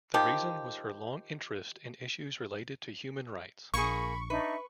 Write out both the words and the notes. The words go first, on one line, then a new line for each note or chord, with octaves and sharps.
The reason was her long interest in issues related to human rights.
D#3 F3 G4
A#1 A#3 G#4 B5 C#6
D4 D#4 B4 E5